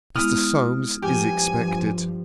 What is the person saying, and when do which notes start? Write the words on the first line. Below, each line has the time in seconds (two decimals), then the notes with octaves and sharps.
Mr. Solmes is expected.
0.16 G#3 B3 E4 D#6 F6
1.02 G2 F3 G4 G#5